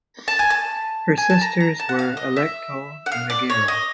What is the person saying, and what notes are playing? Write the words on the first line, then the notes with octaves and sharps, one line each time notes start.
Her sisters were Alecto and Megaera.
A5
G#5
A5
G#5
A5
A#5
A#5
A5
F#5
F5
D#5
E5
F#5
F5
D5
C#5
D#5